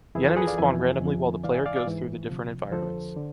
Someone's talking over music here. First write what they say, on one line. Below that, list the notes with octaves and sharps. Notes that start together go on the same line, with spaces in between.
The enemies spawn randomly while the player goes through the different environments.
F2 E3 E4 G#4
F4 A4
G#4 B4
D5 F5
F2 E3 E5 G#5
F2 D3 F3
G#2 E3 D5 F5
E5 G#5
D5 F5
D5 F5
G#2 E3
D2 C3 F3
F2 D3 F3 A4 C5
D3